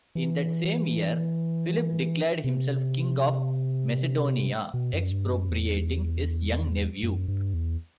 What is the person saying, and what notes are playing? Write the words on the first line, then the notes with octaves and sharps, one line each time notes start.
In that same year Philip declared himself king of Macedonia, expropriating his young nephew.
E3
C3
B2
F#2
G2
F#2
E2
F#2
G2
E2